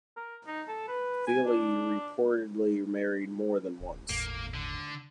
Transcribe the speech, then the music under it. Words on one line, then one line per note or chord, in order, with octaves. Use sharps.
Thiele reportedly married more than once.
A#4
D#4
A4
B4
G#5
D4
D1
G1 D#2 A2 A#3
D3